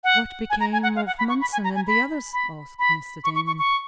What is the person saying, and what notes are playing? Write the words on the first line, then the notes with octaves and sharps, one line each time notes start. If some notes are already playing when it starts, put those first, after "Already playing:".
"What became of Munson and the others?" asked Mr. Damon.
F#5
G#5
A#5
G#5
F#5
F5
F#5
B5
C#6
B5
G#5
A#5
G#5
B5
B5
B5
C#6
C#6
C#6
C#6